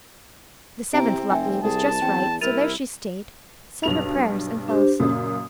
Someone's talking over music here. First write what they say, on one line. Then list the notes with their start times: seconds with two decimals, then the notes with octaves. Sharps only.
The seventh, luckily, was just right; so there she stayed, said her prayers, and fell asleep.
0.94 C3 C4 E4 A#5 D7
1.30 F1 E5 G5 G#5
1.63 C2 G#4 A5
2.02 E2 C4 G5
2.41 C2 E4 A#4 A6 D#7 F7
3.83 B1 G2 F7
4.68 D4 G4 C5
5.00 F#2 A#2 C#3 D#6